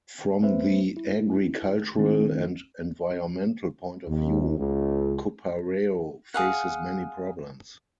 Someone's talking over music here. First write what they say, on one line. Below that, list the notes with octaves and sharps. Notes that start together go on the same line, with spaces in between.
From the agricultural and environmental point of view, Cupareo faces many problems.
A3 C4 B4 C5 E5
E4
D#3 A3 C4 D4 E4
D#2
C#2
G#4 F5 F#5